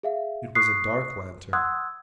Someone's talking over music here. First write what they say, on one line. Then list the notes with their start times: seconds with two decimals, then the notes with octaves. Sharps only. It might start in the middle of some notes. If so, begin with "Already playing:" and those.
It was a dark lantern.
0.03 G#4 E5 F5
0.55 C#6 D#6 F#6 C7
1.53 F#5 C6 D#6 E6 F#6 G#6